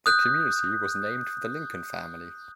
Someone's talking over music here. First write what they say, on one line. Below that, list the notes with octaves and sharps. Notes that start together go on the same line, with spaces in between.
The community was named for the Lincoln family.
D#6 F#6 G6